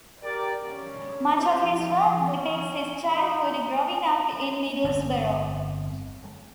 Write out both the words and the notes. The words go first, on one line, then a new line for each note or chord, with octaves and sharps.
Much of his work depicts his childhood growing up in Middlesbrough.
G4 A#4 D5
C#4
E4 G4 C5 E5
C#4
D#4
G1 F2 C4